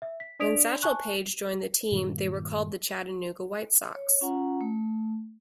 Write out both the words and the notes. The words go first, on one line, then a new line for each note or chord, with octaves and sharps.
When Satchel Paige joined the team they were called the Chattanooga White Sox.
E5
B6
D4 D5 D#6 B6 D7 F7
G#5 A5 C#6 F#6
G2 A#2 D#3 G3
C#5
C#4 F4 F#5 A#5
A3